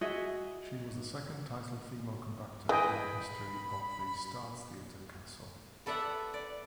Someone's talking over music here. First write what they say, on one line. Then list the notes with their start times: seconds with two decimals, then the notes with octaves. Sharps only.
She was the second titled female conductor in the history of the Staatstheater Kassel.
0.01 F#4 G#4 D#5 E5
2.69 E3 G#4 D#5 G5 B5
5.86 B3 A4 D5 E5 F#5
6.34 D5